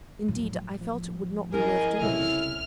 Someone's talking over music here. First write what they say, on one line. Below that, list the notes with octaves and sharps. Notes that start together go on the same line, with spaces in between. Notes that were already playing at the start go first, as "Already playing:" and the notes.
Indeed I felt it would not be worth doing.
A2 F3 F#3
F3
C#4 E4 G#4 A#4 D#5
C2 C#3 E4 A4 C#5 F6